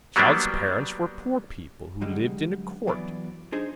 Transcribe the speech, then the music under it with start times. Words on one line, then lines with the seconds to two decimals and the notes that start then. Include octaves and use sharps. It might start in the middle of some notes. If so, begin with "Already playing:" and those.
Child's parents were poor people who lived in a court.
0.16 F#3 G3 A#3 B3 D4
2.01 F#2 D3 G3 G#3
2.87 E3 F#3 B3 D5
3.52 D4 D#4 G#4 C5